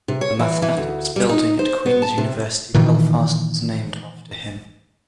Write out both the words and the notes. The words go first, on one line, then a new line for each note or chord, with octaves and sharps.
The Mathematics Building at Queens University Belfast, is named after him.
C3
C#5
E3
E3
D2
G3
D#4
C5
B3
A5
C3
A#2 D#3 E3